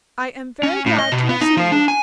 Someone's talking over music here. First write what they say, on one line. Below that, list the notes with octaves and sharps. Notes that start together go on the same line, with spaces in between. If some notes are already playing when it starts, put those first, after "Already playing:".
I am very glad to have seen you.
C#4
A2
D#5
B2
B3
D#4
F3
D4
G#5